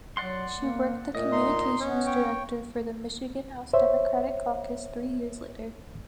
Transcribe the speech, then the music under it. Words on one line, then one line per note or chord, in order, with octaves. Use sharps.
She worked the Communications director for the Michigan House Democratic Caucus three years later.
F#3 D5 F#5 C6
A#3
A#2 A3 D#5
D#4 C6
B3 C#4
C#5 G5
C5 C#5 E5